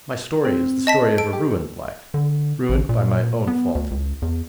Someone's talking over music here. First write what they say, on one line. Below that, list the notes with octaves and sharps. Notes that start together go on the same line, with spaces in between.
My story is the story of a ruined life--ruined by my own fault.
C4
D#5 A5 B6
A4 D7
G4
D3
A1
A#2
B3
D2
C#2
E2